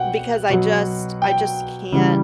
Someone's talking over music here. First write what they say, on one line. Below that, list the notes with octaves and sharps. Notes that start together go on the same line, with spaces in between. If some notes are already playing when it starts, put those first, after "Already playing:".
because I just I just can't
Already playing: B2 F#5 G5
B2 F#3
G5
C#3 E3 G3